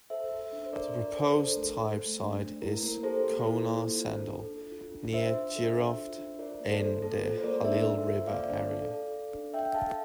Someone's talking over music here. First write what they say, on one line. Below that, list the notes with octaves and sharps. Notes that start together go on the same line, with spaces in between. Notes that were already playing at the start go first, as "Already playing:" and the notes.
The proposed type site is Konar Sandal, near Jiroft in the Halil River area.
A4 C5 E5
A4
D4
C5
D4 A#4 D5
A4
A4
A#4
D4 A4 C5
A3
A4
A3
D4
A3
E4 A#4
A#3 A#4
G4 A4 C5
A#3
E4
A#3
F4
D4
A4
D4
F4
D4
F4 C5 E5
D4
A4
D4
F4
D4
F4 A#4 D5
A#3
A4 C5
A4
A#3 A4
F4
C5
A#3 A#4 D5
D4 C5 E5
A4
F4
A#3 D5 F5
D4
A4
A4
A4
D4
D4 E5 G5
A4 F5 A5